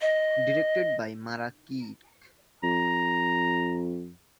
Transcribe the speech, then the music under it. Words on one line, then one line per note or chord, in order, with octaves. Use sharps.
Directed by Mara Kiek.
D#5
F2 A#5